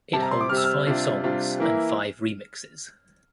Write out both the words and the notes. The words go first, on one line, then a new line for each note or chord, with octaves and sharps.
It holds five songs and five remixes.
C3 G3 C4 A5
A#5
C6
D6
C3 G3 C4 F6
E6
F6
C3 G3 D4 F4
C3 G3 D4 F4
E3 A#3 E4